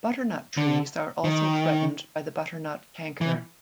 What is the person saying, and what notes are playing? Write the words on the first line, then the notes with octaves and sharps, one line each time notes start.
Butternut trees are also threatened by the butternut canker.
D3
D#3
E3